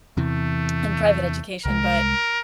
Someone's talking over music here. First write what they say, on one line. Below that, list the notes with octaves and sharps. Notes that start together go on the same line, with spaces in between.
in private education, but
E2 C3 E3 A3
C2 G#3 A#4